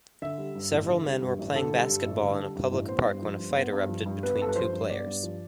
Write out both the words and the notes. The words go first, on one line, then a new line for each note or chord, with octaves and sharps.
Several men were playing basketball in a public park when a fight erupted between two players.
D3 E5
G3
G2
A1
D3
G3
G2
A1
D3 A4
G3
G2
A1
D3
G3
G2
A1
B3 C5
G2
F3
G2
B3
G2
F3
G2
B3 B4
G2 A4
B4
F3 C5
G2
B3 D5
G2
F3